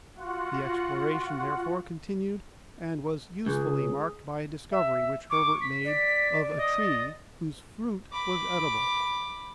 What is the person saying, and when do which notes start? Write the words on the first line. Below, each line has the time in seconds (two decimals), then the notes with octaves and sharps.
The exploration, therefore, continued, and was usefully marked by a discovery which Herbert made of a tree whose fruit was edible.
0.16 F4 F#4 F#5
3.46 C#2 G#4
4.71 E5
5.30 C#6 D6
5.61 B6
5.85 D5
6.57 D#5
8.12 B5 D6